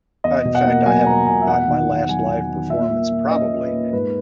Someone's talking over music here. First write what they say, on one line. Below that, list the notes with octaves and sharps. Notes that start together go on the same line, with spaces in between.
in fact, I haven't uh, my last live performance probably
E2 D#5
B2
F#5
A#3
F#3 G#5
E2 A#5
B2 G#5
E5
E2 F#5
D#3
E2
F#3 G#5
E2
D#3
A#2 E5
A#3
A#2
C#4 D#5
A#2
B4
A#3
G#2 B4